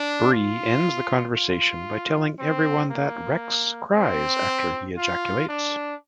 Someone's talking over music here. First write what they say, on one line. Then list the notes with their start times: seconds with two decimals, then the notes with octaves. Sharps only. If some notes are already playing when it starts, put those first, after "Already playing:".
Bree ends the conversation by telling everyone that, "Rex cries after he ejaculates".
Already playing: D4
0.33 F4
1.36 F4
2.39 C4
2.90 A#3
3.93 C4
4.97 F4
5.48 D4